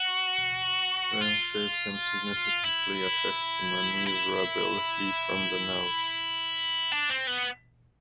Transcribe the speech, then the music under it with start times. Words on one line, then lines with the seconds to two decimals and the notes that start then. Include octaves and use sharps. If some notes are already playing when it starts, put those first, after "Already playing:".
Rail shape can significantly affect the maneuverability from the nose.
Already playing: F#4
1.21 F4
2.64 E4
4.07 E4
6.92 D4
7.10 C4
7.27 B3